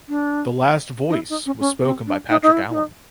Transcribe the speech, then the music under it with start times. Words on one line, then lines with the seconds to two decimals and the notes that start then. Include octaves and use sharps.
"The last voice" was spoken by Patrick Allen.
0.09 D4
1.10 D#4
1.15 E4
1.29 D#4
1.46 C#4
1.60 C#4
1.83 C4
2.07 D4
2.29 D#4
2.42 D#4
2.52 E4
2.70 E4
2.74 D#4